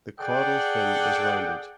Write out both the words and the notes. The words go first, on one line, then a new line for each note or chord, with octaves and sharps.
The caudal fin is rounded.
G#4 A4 D5 F#5 G5